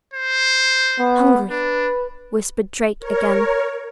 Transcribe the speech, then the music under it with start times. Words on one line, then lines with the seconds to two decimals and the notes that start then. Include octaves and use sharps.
"Hungry," whispered Drake again.
0.14 C5
0.99 B3
1.51 D4 B4
3.00 A#4 C#5